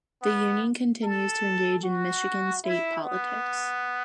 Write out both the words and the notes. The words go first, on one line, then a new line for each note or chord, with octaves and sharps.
The union continues to engage in Michigan state politics.
B3
A4
F#4
E4
B3